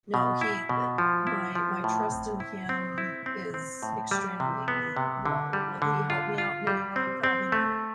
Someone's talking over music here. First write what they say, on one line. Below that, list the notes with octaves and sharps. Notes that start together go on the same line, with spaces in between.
no, he, eh, my my trust in him is extremely low. Will he help me out in any way? Probably not,
B2
E4
B2
F3
E4
F3
A2
C4
E4
C4
E4
C4
C4
A2
G3
C3
B3
C3
D3
G3
D3
F4
F4
G3
C4
C4
A3